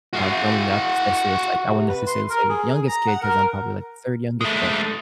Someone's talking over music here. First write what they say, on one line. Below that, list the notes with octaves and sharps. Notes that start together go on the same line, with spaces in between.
uh, growing up especially, it's like I wouldn't necessarily say the youngest kid 'cause I'm probably like the third youngest, but,
F#4 F5
C3
B4
C6
A#4
G#4
A#5
F#5
A#4
G#3 A3